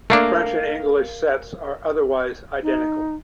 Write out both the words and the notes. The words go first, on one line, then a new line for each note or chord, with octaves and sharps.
The French and English sets are otherwise identical.
A3 A#3 D4 A#4 F5
D#4